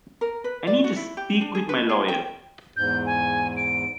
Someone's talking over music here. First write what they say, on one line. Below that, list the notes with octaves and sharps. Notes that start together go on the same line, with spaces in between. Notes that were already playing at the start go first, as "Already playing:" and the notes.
I need to speak with my lawyer.
A#4
B4
D5
F#4
E4
G4
D4
G#4
B4
G#4
G5
E2 G#2 G6
G#5
D7